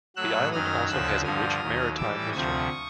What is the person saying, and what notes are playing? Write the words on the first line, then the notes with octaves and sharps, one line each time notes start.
The island also has a rich maritime history.
A2 F#3 E6 F#6
F#2 D#3 F#3 D#6 F6
D2 C#3 F3 E6 F#6
G2 D3 F3 D#6 F6
D#2 D#3 F#3
A2 E3 G3 D6 E6
D2 C3 F3 C#6 D#6